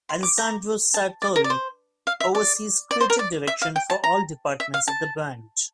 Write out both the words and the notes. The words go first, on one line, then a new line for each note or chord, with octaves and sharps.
Alessandro Sartori oversees creative direction for all departments of the brand.
C6
D6
A#5
A5
D5
A#4
D5
C5
F5
E5
D5
D5
C5
A#4
D5
E5
F5
G5
A5
A#5
E5
F5
A5